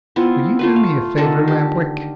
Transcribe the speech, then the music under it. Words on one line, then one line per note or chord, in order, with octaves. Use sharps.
"Will you do me a favor, Lamp-Wick?"
B3 C4 E4 F4
A3 F4 B4
F5
D3 D#3 A4
G4